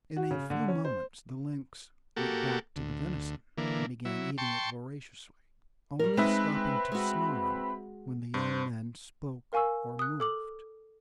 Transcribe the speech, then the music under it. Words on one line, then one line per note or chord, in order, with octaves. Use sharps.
In a few moments the lynx went back to the venison, and began eating it voraciously, only stopping to snarl when the young men spoke or moved.
F#4
C#3
D3
C#4
C5
A#3 F#4 G4 A4
D2
D3 E3 A#3
F#3 E4
G5 A5 C6 C#6
G3 A#4
G#3 C4 D#4 B4 E5 B5
G#3 F#4
G2 C5
A#4 F5 G#5 C#6 E6
D#6 F#6
A4 D6 F#7